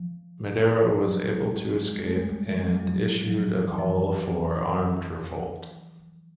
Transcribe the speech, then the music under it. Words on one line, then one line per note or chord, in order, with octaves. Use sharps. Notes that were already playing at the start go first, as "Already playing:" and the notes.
Madero was able to escape and issued a call for armed revolt.
Already playing: F3
F3
F#3
G3
G#3
G#3
G3
A3
G#3
G3
F3
F#3
F3
F#3
F3
F#3
F3
E3
F3
E3